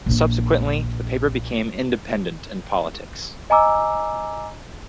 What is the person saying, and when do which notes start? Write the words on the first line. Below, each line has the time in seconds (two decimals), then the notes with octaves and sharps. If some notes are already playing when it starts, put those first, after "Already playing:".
Subsequently, the paper became independent in politics.
0.06 A#1 D4
3.50 D#5 G#5 A#5 D6 E6